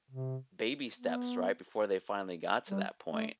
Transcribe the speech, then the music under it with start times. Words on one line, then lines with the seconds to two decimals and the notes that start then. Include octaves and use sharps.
baby steps, right, before they finally got to that point.
0.11 C3
0.97 B3
2.70 G3
3.13 A3